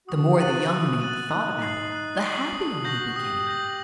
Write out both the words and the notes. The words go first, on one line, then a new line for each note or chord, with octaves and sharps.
The more the young Mink thought about it, the happier he became.
F#4 D#6
G4
F#6 A6 D#7 F#7
F#4
D#6
F#6 A6 D#7 F#7
D#4 F#6
C7 F#7
F#6
C7 F#7
D4 D#6
F#4 G6 A#6 F#7
F#4
G4 D#6
G6 A#6 F#7